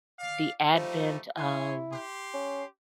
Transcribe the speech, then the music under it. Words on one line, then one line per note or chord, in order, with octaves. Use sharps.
the advent of
D5 F5
F3 G3 A3 D#4
E4 C#5 G#5 C6
G4 C6
C#4